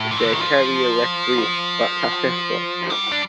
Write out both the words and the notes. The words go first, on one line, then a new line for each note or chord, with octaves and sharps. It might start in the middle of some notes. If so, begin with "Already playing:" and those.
Their career was brief but successful.
Already playing: A2
A#2
C3
D3
D#3
F3
G3
D4